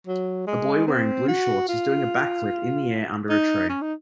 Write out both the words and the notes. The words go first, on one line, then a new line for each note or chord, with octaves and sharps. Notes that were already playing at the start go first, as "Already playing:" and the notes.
A boy wearing blue shorts is doing a back flip in the air under a tree.
F#3
G#3
C4
F#4
F4
D#4
C#4
D#4